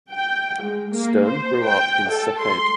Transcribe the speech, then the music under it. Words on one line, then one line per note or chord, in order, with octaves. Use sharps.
Stern grew up in Safed.
G5
G#3
A#3
C5
G5
A4
C6